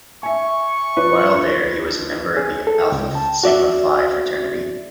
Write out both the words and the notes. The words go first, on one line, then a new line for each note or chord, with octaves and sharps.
While there, he was a member of Alpha Sigma Phi Fraternity.
E5 G#5 C#6
F3 B4 D5
G#4
A4
C#2 G5
A5
F#4 D5 E5